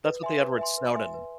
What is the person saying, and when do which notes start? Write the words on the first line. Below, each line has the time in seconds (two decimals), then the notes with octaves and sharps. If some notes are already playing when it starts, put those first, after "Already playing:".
that's what Edward Snowden.
0.04 B4
0.23 E5 G#5 C6
0.40 B4
0.58 E5 G#5 C6
0.78 B4
0.95 E5 G#5 C6
1.14 B4